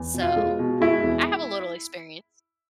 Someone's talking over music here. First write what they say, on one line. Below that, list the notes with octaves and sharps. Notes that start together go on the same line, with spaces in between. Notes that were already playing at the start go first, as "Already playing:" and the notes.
So I have a little experience.
Already playing: E2
B2
F4
G#3
B2
G#3 E4
E2